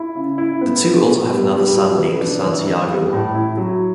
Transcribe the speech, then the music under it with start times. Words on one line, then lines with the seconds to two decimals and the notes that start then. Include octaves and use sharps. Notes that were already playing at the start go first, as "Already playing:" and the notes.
The two also have another son named Santiago.
Already playing: E4
0.15 C#3
0.38 E4
0.61 B3
0.83 B3
1.06 B3
1.29 G3
1.52 G3
1.76 B2
1.97 E3
2.21 D4
2.44 E3
2.67 E3
2.89 G3
3.13 A2
3.34 E4
3.57 F#3